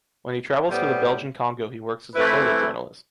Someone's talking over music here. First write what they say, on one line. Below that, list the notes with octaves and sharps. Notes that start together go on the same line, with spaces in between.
When he travels to the Belgian Congo he works as a photojournalist.
A2 G3 B3 C5
E3 A3 C4 E4 B4